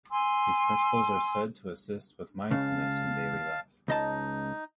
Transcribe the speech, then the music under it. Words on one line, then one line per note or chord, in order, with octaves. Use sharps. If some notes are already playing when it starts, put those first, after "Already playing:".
These principles are said to assist with mindfulness in daily life.
G#5 C6 E6
C#2 C#3 F5 A5
C#2 D#4 D#5 A5